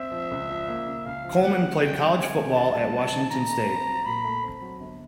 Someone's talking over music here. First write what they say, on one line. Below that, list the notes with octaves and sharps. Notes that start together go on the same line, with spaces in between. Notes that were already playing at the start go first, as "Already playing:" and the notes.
Coleman played college football at Washington State.
Already playing: C4 E5
F3
C#2
F3
A#3
C#3
C#2 F5
F3
A#3 F#5
C#3
F#2 G5
G3
C4 G#5
D#3
F#2 A5
G3
C4
D#3
A#2 A#5
A3
C4
F#3
A#2 B5
A3
C4
F#3
G1